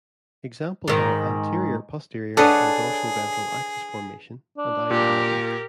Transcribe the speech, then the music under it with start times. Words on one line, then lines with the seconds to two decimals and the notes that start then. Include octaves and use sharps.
Examples are anterior-posterior and dorso-ventral axis formation and eye development.
0.88 G#2 D#3
2.37 D4 G#4 A4 B4 C#5 D#5 F#5
4.58 D4
4.91 A#2 G4 A#4